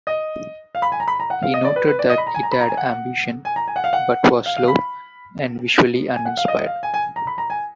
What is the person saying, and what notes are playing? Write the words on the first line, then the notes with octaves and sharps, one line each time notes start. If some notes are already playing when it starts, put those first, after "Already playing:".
He noted that it had ambition, but was "slow" and "visually uninspired".
D#5
F5
B5
G#5
A#5
B5
A#5
F#5
F5
D#5
D5
B4
B4
D5
D#5
B5
A#5
G#5
A#5
B5
A#5
G#5
F#5
G#5
A#5
G#5
F#5
F5
F#5
F5
F5
B5
G#5
F#5
F5
D#5
F5
G#5
G#5
A#5
B5
A#5
G#5